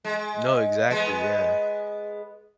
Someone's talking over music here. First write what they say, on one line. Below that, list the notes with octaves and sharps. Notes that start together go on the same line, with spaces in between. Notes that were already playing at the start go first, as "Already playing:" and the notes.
No, exactly, yeah.
G#3
G#3 B3